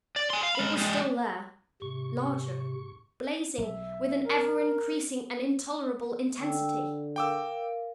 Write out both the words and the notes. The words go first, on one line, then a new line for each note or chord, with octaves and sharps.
It was still there, larger--blazing with an ever increasing and intolerable intensity.
D5
G#5 C6
F5
G#3 B5
G3 G#3
G#2 C3 C#6
B1 E5
A#4
D3 G5 E6
A#4 F5 G5 D6 E6